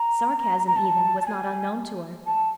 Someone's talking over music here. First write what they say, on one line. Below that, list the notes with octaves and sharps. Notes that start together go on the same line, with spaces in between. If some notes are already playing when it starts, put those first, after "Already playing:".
Sarcasm, even, was not unknown to her.
Already playing: A#5
A#5
A5
A5
G#5
A5